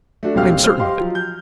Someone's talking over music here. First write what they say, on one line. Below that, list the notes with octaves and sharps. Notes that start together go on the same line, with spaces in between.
"I am certain of it."
A3 D4 F#4
D#1 C2 C4 G4 F5 F6
C5 F6
G4 D#5 F5 C6
F3 F#3
G6